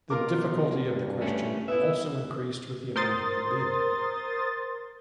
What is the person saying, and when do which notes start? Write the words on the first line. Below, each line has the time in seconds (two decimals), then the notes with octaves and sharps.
The difficulty of the question also increased with the amount of the bid.
0.10 B2 F4 A#4 D6
0.88 G2
1.21 A3 C#4
1.68 B3 E4 B4 E5
2.96 A#4 C5 C6 D#6 A6